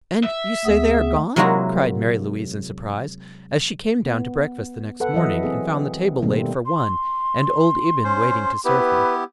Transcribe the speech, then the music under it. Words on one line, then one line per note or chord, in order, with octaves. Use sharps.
"And you say they are gone?" cried Mary Louise in surprise, as she came down to breakfast the next morning and found the table laid for one and old Eben waiting to serve her.
E5
D2 B3 G#4
C3 F#3 G#3 A#3 E4 F#4
B3
A4 B4 F#5
E3 F#3 D#5 E5
C4 G#4
B2 D#3 G3 A3 A#3 C4
C6
C#4 C5
B3 E4 G4 B4